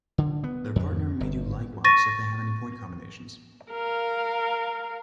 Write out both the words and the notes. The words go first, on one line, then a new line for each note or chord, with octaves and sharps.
Their partner may do likewise if they have any point combinations.
D3
B3
F2
G1
C#6 A6 A#6 D#7
A#4 F5